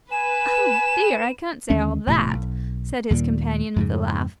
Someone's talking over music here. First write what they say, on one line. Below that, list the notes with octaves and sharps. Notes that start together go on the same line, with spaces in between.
"Oh, dear, I can't say all that!" said his companion with a laugh.
B4 G#5 E7
D#2 D3 G#3 C#4
E1 A2 C3
B1
D#2 A#2 D#3 G3
F2 G#2 C#3